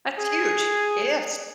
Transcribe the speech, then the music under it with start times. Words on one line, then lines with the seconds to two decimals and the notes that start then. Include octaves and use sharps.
That's huge. Yes.
0.18 G#4